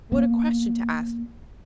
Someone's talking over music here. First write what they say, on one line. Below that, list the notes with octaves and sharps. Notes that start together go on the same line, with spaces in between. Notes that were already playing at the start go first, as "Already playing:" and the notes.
What a question to ask!
A#3 B3